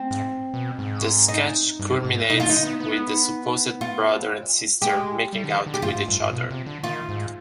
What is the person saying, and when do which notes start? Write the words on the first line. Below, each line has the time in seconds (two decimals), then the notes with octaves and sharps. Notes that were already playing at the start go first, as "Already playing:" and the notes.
The sketch culminates with the supposed brother and sister making out with each other.
Already playing: C4
0.11 G#2
0.54 B2
0.79 G#2
1.28 D#4
1.79 G2
2.05 G#2
2.30 B2 D#4
2.40 F4
2.46 D3 D#4
2.63 B3
2.80 B3
3.81 F4
4.82 G#3 G4
5.33 G3
5.44 D3
5.49 D#3
5.66 D3
5.74 G4
5.82 G2 F4
5.95 G#2
6.09 G2
6.21 G#2
6.33 B2
6.51 C3
6.66 D3
6.83 D#3 F4
7.09 G#2